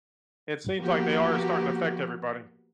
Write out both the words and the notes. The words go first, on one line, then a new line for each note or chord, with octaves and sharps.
it seems like they are starting to affect everybody.
F3 A#3 B3 F#4 G4